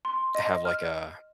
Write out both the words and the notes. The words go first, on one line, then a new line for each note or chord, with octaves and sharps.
to have, like a
C6
D#5
F6